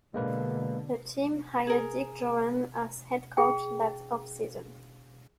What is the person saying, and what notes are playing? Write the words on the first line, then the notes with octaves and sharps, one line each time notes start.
The team hired Dick Jauron as head coach that off-season.
B2 D3 G#3 A#3 B4
G#4 A#4
G#4 G5